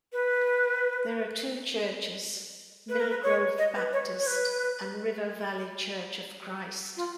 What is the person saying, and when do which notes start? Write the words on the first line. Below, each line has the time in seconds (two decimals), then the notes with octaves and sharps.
There are two churches, Millgrove Baptist and River Valley Church of Christ.
0.13 B4
2.89 B4
3.00 A#4
3.10 B4
3.23 C#5
3.58 D#5
3.75 B4
3.93 C#5
4.19 C#5
4.27 B4
6.97 F4